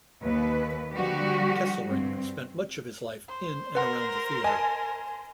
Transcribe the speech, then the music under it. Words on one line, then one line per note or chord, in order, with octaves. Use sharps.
Kesselring spent much of his life in and around the theater.
D#2 B4
D3 F3 G3 F#4 G4
G2 C4
C5
A#4 B4 F#5 C6
D#5 G#5 A5